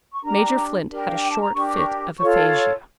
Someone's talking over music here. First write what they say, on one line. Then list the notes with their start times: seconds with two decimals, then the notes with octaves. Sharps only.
Major Flint had a short fit of aphasia.
0.13 C#6
0.23 D4 G4 A#4 A#5
0.88 D4 G4 A#4
1.06 F5
1.17 G5
1.29 A5
1.41 A#5
1.53 D4 G4 A#4 C#6
1.71 D6
1.75 C#6
2.19 F4 A4 C#5 C#6
2.35 A5